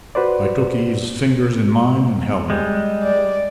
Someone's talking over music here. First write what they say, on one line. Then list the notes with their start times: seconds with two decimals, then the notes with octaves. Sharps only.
I took Eve's fingers in mine and held them.
0.15 F#4 B4 C5 D5
2.50 G3 G#3
3.03 D5